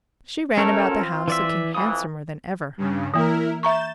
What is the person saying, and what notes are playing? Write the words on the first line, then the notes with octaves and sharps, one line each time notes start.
She ran about the house looking handsomer than ever.
A3 C#4 A4 A#4
C4 F4
E3 D5 E5
F2 E3 D#6
G2 C#3
E3 A#3 E4 A#4
E5 A#5 C#6 G6 A6 E7